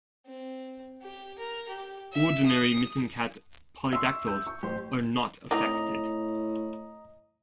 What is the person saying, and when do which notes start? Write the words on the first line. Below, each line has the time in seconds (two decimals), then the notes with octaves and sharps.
Ordinary mitten cat polydactyls are not affected.
0.26 C4
1.02 G4
1.39 A#4
1.69 G4
2.12 E5
2.47 D#6
3.93 E5 C6 C#6 E6
4.27 G6
4.47 C#6
4.63 A1 G4 C5
5.51 A2 C4 D#4 D5 D#5 A#5